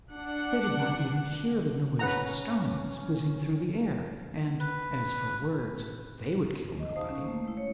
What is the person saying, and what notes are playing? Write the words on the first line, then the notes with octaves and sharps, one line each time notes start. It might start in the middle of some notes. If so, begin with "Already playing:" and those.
They did not even hear the noise of stones whizzing through the air, and as for words, they would kill nobody.
D4 F#5
C#4 B4 F#5 A#5
B4
D#5
D#4 C5 F5 A5 D#6
C#4
A3 A#3
G#3 E4
C#5